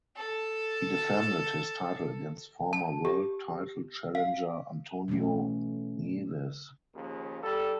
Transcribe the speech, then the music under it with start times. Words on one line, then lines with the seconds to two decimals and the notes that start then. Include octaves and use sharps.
He defended his title against former world title challenger Antonio Nieves.
0.16 A4 A5
2.73 A5
3.05 G4
4.15 F5
5.08 B2 E3 G3 A3 C#4
6.95 D#2 C#3 F3 A#3
7.43 G3 A4